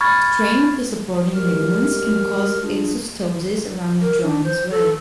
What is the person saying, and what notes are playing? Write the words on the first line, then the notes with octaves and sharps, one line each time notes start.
Strain of the supporting ligaments can cause exostosis around the joint as well.
B5 C#6 F6 G#6 A6
G3 G#3 F#4 G4 A#4 F6
G3 D4 F4 G#4
A#4
D4
C5
A4